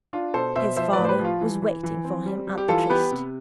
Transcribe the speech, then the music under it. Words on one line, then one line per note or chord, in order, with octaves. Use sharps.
His father was waiting for him at the tryst.
D4 F4
B2 A4 C5
B2 C5 E5
F3 C5 E5
B4 D5
A2
C5
G4 B4
F3
F4
E3
E3
E3
C4
G3
G3
G4
E3 F4 A4
B3 G4 B4
C3